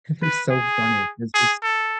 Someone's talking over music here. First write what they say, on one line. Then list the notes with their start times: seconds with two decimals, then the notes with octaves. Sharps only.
They're so funny. It's just
0.22 B4
0.50 G#4
1.34 G#4
1.63 A4